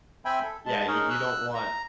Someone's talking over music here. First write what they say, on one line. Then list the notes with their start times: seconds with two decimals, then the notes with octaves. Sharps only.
yeah, you you don't want
0.25 C4 E5 G5 G#5 B5
0.43 A4
0.66 G#3 A5
0.88 D#4 G#4 A#4 C#5
1.10 E6 F#6
1.54 A#5